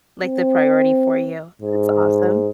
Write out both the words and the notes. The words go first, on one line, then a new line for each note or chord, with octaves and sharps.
Like the priority for you. That's awesome.
C4
G#2